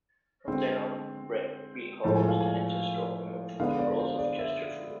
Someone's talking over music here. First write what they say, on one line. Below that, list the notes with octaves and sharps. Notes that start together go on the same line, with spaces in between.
From then on, Bretby Hall was the ancestral home of the Earls of Chesterfield.
D3 G#3 C4
A2 F3 G#3 A5
G#5
F5
G#5
D3 G#3 B3 D4 F5
D5
C5
D5
E5